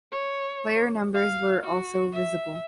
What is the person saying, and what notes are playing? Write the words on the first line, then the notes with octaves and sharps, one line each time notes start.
Player numbers were also visible.
C#5
F5
F#4
E5